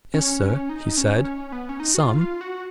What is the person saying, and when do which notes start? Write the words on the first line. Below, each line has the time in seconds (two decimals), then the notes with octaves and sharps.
"Yes, sir," he said, "some."
0.14 C#4
0.42 C#4
0.69 D#4
0.97 C#4
1.24 C#4
1.52 B3
1.69 C#4
1.80 D#4
1.95 F#4
2.00 F4
2.21 F4
2.41 F#4